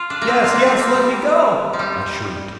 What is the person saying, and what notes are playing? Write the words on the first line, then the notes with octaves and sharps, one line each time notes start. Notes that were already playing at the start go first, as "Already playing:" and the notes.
'Yes, yes! let me go,' I shrieked.
Already playing: F4
D4
A#3
C4
F4
D4
C4
A#3
G3
F3
G3